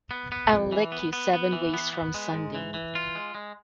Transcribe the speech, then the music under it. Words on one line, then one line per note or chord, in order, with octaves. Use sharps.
I'll lick you seven ways from Sunday.
B3
B3
F2
E3
B3
B3
B3
E3
B3
B3
G#3
G#2
E3
E3
F4
G#3
G#3